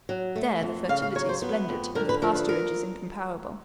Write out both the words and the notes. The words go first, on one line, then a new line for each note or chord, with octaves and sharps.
There the fertility is splendid; the pasturage is incomparable.
F#3
A3
F2
C#3 F5
F5
F#3 C#5
C5
B3 B4
F2
D3 A#4
B4
F3 A#4
B4
A#4